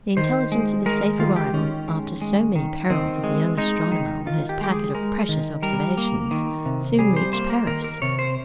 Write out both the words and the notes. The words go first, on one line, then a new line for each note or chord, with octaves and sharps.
The intelligence of the safe arrival, after so many perils, of the young astronomer, with his packet of precious observations, soon reached Paris.
D#3 C5
G#3
G#3 A#4
D#3 F4
G4
D#3 C#4
G#3
G#3
D#3
D#3 C4
G#3
G#3 D#4
D#3
D#3 F4
G4
G#3 G4
G#4
G#3 A#4
D#3
G3 A#4
A#3
D#3
C3
G3 G#4
C5
A#3 C5
A#4
D#3 A#4
A#4
C3 C#5
C5